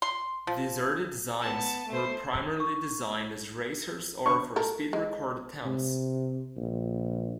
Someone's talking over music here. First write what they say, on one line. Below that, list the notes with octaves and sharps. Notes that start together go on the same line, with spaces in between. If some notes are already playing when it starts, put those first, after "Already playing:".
These early designs were primarily designed as racers or for speed record attempts.
C6
F3
B3 A5
A3 C5
C#6
C#6
A4 A#4
G#3
C3
A#1